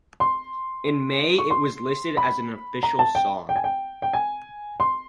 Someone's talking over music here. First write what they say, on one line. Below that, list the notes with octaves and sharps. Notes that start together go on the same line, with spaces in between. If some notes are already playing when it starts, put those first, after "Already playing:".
In May it was listed as an official song.
C6
C#6
C6
B5
A#5
A5
G5
G5
G#5
G5
G5
G#5
C6